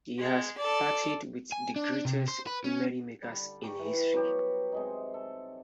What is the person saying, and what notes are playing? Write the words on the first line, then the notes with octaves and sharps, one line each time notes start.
He has partied with the greatest merrymakers in history.
G#3
A4 D5
G#5
D4
C3
C5
B4
C#4
D3 G3
G4 A#5 C#6
E3
F#3 B3 G4
C3 G#3 D#4
A4